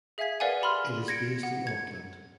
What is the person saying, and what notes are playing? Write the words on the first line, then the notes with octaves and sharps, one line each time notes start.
It is based in Auckland.
G#4 E5 F5 G#5 G#6 B6
A#4 B4 D5 F5 F#5 G#5
G4 G#4 B5 C6 F6
G#6 A#6 C#7 D7
F#5
G#6 C#7